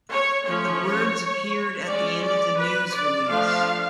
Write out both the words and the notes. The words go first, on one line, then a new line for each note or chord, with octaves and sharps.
The words appeared at the end of the news release.
C#5
F3 A3 C#4 C#5
G#3 C#4 D5
D5
B4
D5
F3 A3 D4 F5